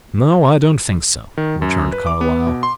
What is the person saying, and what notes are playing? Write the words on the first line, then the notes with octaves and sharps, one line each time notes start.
"No, I don't think so," returned Carlyle.
D#3
F#2
B4
D6
B3
B2
C6